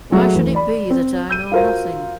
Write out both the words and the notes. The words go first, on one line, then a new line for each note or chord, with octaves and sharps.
Why should it be that I know nothing?
F#3 A3 G#4 E5 F#5
D2 E3
D5 B5
C4
E6 G6 D#7
F4 F#4 A#4 C5 F5